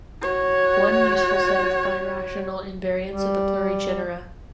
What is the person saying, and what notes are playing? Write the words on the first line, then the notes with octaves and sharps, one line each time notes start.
One useful set of birational invariants are the plurigenera.
F#4 C#5
G3